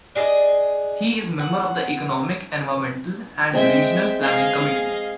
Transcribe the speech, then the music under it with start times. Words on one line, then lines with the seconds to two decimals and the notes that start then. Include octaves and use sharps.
He is member of the Economic, Environmental and Regional Planning Committee.
0.15 D4 G#4 A4 D#5
1.39 F#5
3.53 G#3 C4 E5 G5
4.22 G#4 D#5 F5